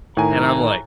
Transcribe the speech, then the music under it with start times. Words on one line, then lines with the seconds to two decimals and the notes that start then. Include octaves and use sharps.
and I'm like
0.17 A2 D#3 G#5 A#5